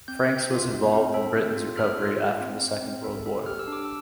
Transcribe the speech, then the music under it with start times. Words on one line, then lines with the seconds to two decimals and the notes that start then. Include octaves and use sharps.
Franks was involved in Britain's recovery after the Second World War.
0.08 C4 G6
0.29 C4
0.50 F4
0.71 F4
0.93 C4
1.14 A4
1.35 C4
1.56 F4
1.77 A4 F6
1.98 F4
2.19 F4
2.41 C4
2.62 C4
2.83 C4
3.04 A4
3.26 A4
3.46 G4 F6
3.59 E6
3.67 D4
3.72 D6
3.85 E6